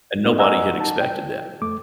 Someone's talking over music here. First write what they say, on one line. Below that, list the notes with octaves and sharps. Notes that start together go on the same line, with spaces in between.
and nobody had expected that.
A3 B3 C#4 D#4
D#5 F#5 G#5 A#5 E6
D#4 A5
G5
F2 A3 D6